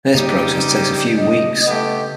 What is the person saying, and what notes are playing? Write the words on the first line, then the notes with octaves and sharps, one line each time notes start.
This process takes a few weeks.
C#3 G3 A#3 D#4 G4
D#5
A3 B3 G4